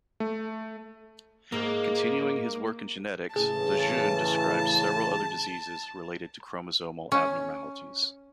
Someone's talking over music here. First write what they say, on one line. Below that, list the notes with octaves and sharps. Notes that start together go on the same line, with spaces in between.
Continuing his work in genetics, Lejeune described several other diseases related to chromosomal abnormalities.
A3
G#2 G#3 A#3
A2 C#3 E3 G#4 A5
C#4